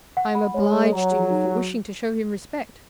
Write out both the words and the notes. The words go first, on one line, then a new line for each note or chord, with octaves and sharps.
I am obliged to you for wishing to show him respect.'
F#5
B5
G#3 C#5
C#5
F#3 A#5
G#4
D#4